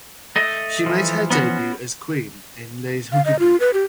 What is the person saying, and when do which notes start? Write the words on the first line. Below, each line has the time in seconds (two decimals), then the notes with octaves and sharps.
She made her debut as queen in "Les Huguenots".
0.36 A3 D#5
0.86 E3 F3
1.31 B3 C#4 F#4
3.12 F5
3.25 D#5
3.39 F4
3.60 B4
3.74 G4